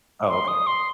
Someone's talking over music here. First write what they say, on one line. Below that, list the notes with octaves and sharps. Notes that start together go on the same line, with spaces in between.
Oh, okay.
C6
D#6
C6